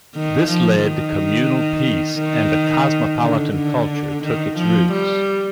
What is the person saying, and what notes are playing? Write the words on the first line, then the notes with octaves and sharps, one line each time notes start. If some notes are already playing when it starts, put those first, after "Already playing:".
This led to communal peace and a cosmopolitan culture took its roots.
D#3
F3
D#3
D#3
D3
D3
D#3
F3
G3